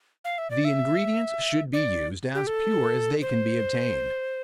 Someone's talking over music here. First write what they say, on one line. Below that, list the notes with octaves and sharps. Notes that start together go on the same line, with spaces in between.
The ingredients should be used as pure as they can be obtained.
F5
E5
D5
E5
D5
G4
A4
C5